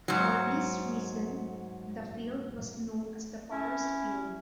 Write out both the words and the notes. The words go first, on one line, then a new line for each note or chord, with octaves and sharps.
For this reason the field was known as the Potter's Field.
G#2 F#3
C#4 E4